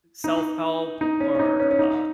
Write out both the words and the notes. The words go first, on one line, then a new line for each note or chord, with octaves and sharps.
self-help or, uh
D#4
D#4
C#4
C#4
D#4
C#4
C#4
D#4